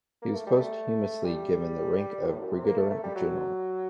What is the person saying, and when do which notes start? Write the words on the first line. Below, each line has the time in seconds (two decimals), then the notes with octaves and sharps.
He was posthumously given the rank of Brigadier General.
0.22 A#3
0.34 A3
0.47 G3
0.59 A3
1.24 G3
2.27 A2
2.39 F#2
2.52 C3
2.64 A#3
2.77 A3
2.90 A3
3.03 G3
3.15 F#3